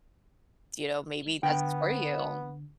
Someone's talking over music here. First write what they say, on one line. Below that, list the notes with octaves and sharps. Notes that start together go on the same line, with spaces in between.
you know, maybe that's for you.
D3 B3 G5